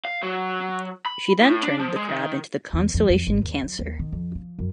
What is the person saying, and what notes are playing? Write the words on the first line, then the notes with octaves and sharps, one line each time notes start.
She then turned the crab into the constellation Cancer.
F5
F#3
B5
A2
D4
F3
G#3
D#3
E2
F2
F2
G#1
D#2
F#3
D#2
D#3
F2
F3
F#2